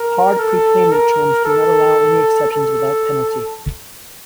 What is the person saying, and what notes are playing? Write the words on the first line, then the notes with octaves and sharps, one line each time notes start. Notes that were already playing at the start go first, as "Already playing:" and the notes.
"Hard" prepayment terms do not allow any exceptions without penalty.
Already playing: A#4
A4
A#4
A4
A4